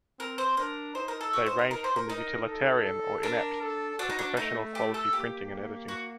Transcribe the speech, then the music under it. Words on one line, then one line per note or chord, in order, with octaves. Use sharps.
They ranged from the utilitarian or inept to professional-quality printing and editing.
C4 A#4
C5
D4 A#4
D#4 C5
A#4
A4
F#4
C5
A#4
A#4
C5
A#4
D#4 A#4
A4
A4
D4 A#4
A4
D4 F#4
D#4
D4
A3 D#4
G4
A4
A#3 G4
A#3
F#4